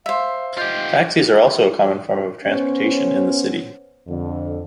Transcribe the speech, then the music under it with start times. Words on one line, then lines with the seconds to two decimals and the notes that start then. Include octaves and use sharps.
Taxis are also a common form of transportation in the city.
0.06 C5 E5 F5
0.58 F4 G4 D#5 G6
2.44 B3 C#4 C5 C#5
4.08 F2 D3